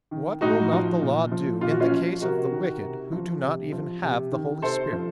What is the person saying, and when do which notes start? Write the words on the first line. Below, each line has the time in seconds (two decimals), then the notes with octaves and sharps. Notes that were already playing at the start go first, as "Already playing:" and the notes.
What will not the Law do in the case of the wicked who do not even have the Holy Spirit?
0.11 D#3
0.41 A2 D#4 F#4
0.72 F3
1.02 A#2
1.32 F3
1.61 A#2 F4
1.71 F#4
1.80 C#4 F4
1.91 F3
2.21 C3 F#4 A#4
2.51 D#3
2.81 C3
3.12 F3
3.42 C3
3.72 F3
4.02 C3
4.32 D#3
4.62 C3 A4 C5
4.92 F3